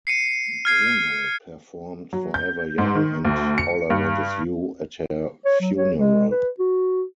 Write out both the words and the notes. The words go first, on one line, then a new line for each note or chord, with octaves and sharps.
Bono performed "Forever Young" and "All I Want Is You" at her funeral.
C7 C#7 D#7
F6 G#6 C7
F#3
G6
G#2
D#3
D2
C#7
G2
C#5
F#3
C#5
G#3
B4
F#4